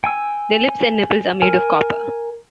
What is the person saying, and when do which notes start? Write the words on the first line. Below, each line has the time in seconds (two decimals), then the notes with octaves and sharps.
Their lips and nipples are made of copper.
0.04 G5 G#5 E6
1.42 A#4 G#5